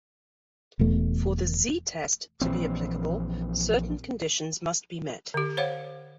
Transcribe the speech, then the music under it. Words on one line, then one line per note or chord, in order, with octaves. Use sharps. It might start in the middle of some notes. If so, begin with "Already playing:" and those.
For the "Z"-test to be applicable, certain conditions must be met.
E1 E2 A3
A#1 E3 C4
D3 G4
C5 C#5 F5 F#5